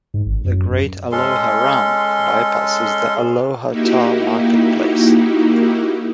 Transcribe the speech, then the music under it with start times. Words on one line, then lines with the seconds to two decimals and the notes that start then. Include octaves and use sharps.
The Great Aloha Run bypasses the Aloha Tower Marketplace.
0.14 G#2
0.26 G#1
0.45 F#2
0.71 F#2
1.12 G#3 C#4 A4 C6
3.70 A#3 D#4 E4 F#4 G4